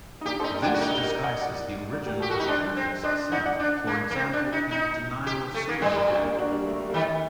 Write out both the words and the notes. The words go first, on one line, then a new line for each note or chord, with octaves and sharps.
This disguises the origin of packets sent, for example in a denial-of-service attack.
D#4
A#3 D4 G4
D#4 A4 C5
A#4 D5
D4 G5
D5 F#5
F#4
D#4 A#4 D5
G4 A#4
A#4 D5
F#5
D#5
D5 F#5
A#4 D5
G4 A#4
F#4 G4 A4
F#4 G4 A4 A#4
D#4
D4 A4 C5
C4
D4 C5 D#5
D#4 D5 F#5
D5 F#5
D4
A#3
A#3
C4
D4
D#4
D#4
G4
A3
A#3
G3 C5 D#5
A#4 D5
D4 F#4
A#3 D4
D4 F#4
G3
A3
G3
A#3
D#3 A3